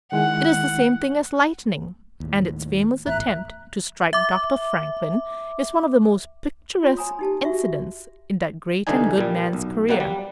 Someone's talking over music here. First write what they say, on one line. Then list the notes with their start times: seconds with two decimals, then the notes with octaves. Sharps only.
It is the same thing as lightning, and its famous attempt to strike Dr. Franklin is one of the most picturesque incidents in that great and good man's career.
0.12 D#3 G#3 E4 F#5
2.20 D#2 A2
3.06 G#1 E2 A2 E5 A#5 F#6
4.13 E5 D6
6.83 F4 C#5 C6
6.97 C#5 G#5 A#5 D#6
7.19 D#4 G4 A5
7.44 F#4 E5 C#6
8.87 C2 D3 E3 D4 D#4 G#5
9.18 A#2 G3
9.53 B1
9.89 B2 G3 A#3 F#5
10.00 G3